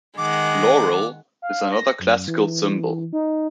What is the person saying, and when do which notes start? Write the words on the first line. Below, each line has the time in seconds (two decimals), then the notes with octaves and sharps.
Laurel is another classical symbol.
0.18 D#3 G#3 F#5 D6
1.42 F5
1.72 A#6
1.99 F#2
2.28 E3
3.13 D#4